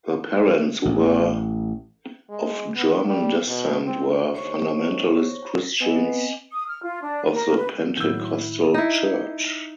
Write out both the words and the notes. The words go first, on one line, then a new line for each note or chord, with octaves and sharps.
Her parents, who were of German descent, were "fundamentalist Christians" of the Pentecostal Church.
A1
G#3
B3
G3
B2
C4
D#2 C5 C#5 C#6
B3 C4 D#5 G#5
D#6
F6
F4
D4
A#4
B4
A2 D#3 F#3 E4 E6 G6
D#4 E4